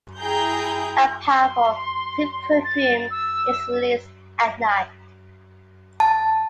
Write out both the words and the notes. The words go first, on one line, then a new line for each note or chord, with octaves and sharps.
A powerful, sweet perfume is released at night.
E4 G#4 G5 A#5 G6
C6
A6
E6
A5